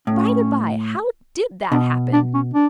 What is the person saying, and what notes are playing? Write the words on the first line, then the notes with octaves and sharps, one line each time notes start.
By the by, how did that happen?
A2 C#4
B2 D4
D4
C#4
D4